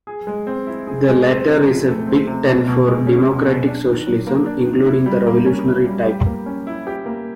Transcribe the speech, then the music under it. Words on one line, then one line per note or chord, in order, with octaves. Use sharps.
The latter is a big tent for Democratic Socialism, including the Revolutionary type.
G#4
G#3
C4
E4
G#4
G#3
C4
C3
F3
A3
C4
C3
B2
B2
G#3
C#4
B2
B2
D4
D#3
F#3
A#3
D4
D#3
E4
G3
A#3
C#4
E4
G3
G4
A#3
C#4
E4
G4
A#3